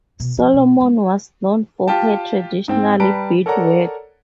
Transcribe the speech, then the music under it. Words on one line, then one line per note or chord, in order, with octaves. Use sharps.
Solomon was known for her traditional beadwork.
B2
F3
B2
G#3
F4 G4 G5 A5
G#2 C4 G5
G3 B4 A5 A#5 D7
A4 A#4 C#5 D5 F#5 A#5